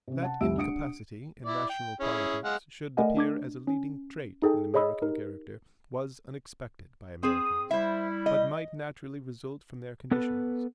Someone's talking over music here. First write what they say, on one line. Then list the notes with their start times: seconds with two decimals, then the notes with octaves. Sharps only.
That incapacity in national politics should appear as a leading trait in American character was unexpected by Americans, but might naturally result from their conditions.
0.08 C3 C#4
0.22 F#5 A5
0.41 F1 C2 G3 E5 E6 D7
0.57 D4 F#5 D#6 C#7 D7
1.46 E4 D5
1.69 G5
2.00 C#4 E4 G#4
2.45 G#3 F5 F#5
2.97 A3 A#4 D5 D#5 F#5 G#5
3.17 D4 D6 G#6
3.67 C#4
4.42 D#4 G#4 A4 G5
4.74 G#4 C#5 D#5 B5 D#6 E6
5.02 D#4 G4 A#4
7.23 C4 G#4 D#6
7.71 G3 E4 C5 E5
8.26 D#5
10.11 B3 A4 B4